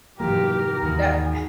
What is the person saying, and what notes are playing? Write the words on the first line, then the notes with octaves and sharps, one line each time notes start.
that eh
F1 G#2 E3 F#3 A#3 G4 A#4
D#2 E3 D#4 F#4 G#4